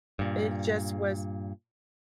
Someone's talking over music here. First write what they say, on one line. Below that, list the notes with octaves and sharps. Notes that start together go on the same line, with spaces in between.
it just was
G2 A#2